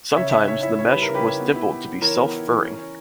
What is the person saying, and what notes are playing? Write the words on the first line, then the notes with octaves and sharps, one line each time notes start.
Sometimes, the mesh was dimpled to be self-furring.
C#3 C#5 E5
C#4 C#5 E5
C#4 C#5 E5
E4 C#5 E5
C#4 C#5
G3 B4
A#4
C#3
G4 B4
E4
B3
E4
B3
B3
E3 A#4 C#5
B3
E4
E3
C#4
C#4